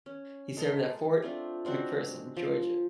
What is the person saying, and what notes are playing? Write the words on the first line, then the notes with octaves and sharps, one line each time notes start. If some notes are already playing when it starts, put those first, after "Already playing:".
He served at Fort McPherson, Georgia.
C#4
G#3 A4 A#5 C6
A3 C4 D4 F4
G#3 C4 D4 F#4
F3